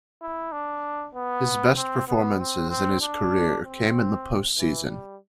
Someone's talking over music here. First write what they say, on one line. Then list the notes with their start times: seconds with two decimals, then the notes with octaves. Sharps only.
His best performances in his career came in the postseason.
0.22 E4
0.52 D4
1.15 B3
1.76 C4
2.08 B3
2.39 C4
2.70 C4
3.01 D4
3.64 C4
4.57 E3
4.89 G3